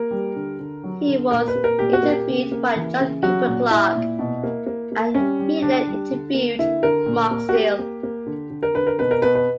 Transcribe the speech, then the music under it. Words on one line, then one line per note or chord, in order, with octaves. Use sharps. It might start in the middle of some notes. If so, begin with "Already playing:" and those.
He was interviewed by John Cooper Clarke and he then interviewed Mark Steel.
Already playing: A#3 A#4
G3
D3
D3
F#3
D3
A#2 A#4
B4
A#3
A#4
A#2 G4
F#4
A#3
G4
C#3
A#3
E3
C#3
F#3 F#4
A#2
A#2 E4
A#2
B2
A#3
A#3
A#3
G3 C#4
G3
D3 D4
G3
D3
A#3
D3 E4
D3 A#4
A#2
A#3
F#4
A#3 G4
A#3
A#3
D3
D3
A#4
D3 B4
A#4
B2 B4
A#4
B2 B4
B4